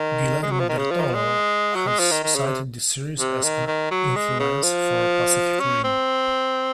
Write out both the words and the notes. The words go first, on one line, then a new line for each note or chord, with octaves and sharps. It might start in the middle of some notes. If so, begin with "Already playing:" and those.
Guillermo Del Toro has cited the series as an influence for "Pacific Rim".
Already playing: D#3
G#3
F#3
F3
D#3
C#3
F3
D#3
F3
G#3
F#3
G#3
F3
D#3
D#3
C#3
C3
C3
D#3
D#3
F#3
G#3
C#3
F3
C#4
C4